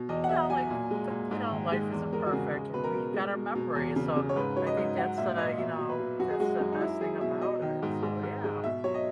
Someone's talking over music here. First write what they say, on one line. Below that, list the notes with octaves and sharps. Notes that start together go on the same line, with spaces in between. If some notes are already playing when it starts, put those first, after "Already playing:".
you know, like, t you know, life isn't perfect, and we got our memories, so I think that's, uh, you know that's the best thing about it, so, yeah.
Already playing: B2
E2 D#5
F#5
F#3 E5
F#3 G#5
A#2
G#3
A#2
G#2
D#3
G#3
E2
G#3 A#4
F#4
C#3 G#4
G#3
B2 B4
A#4
B2
G#3
B2
B2
E2
C#3
C#3
C#5
G#2 B4
F#3 C#5
D#5
G#2
F#3 F#5
A#2 E5
A#2 D#5
B2 E5
F#3
B4
F#3
F#2 F#4
G#4
G#3 F#4
F#2 F#4
D#4
F#3 E4
F#3 G#4
B2 E5
F#3 D#5
D#3
G#2
G#2
G#2
G#3
B2 E5
F#3 C#5
D#5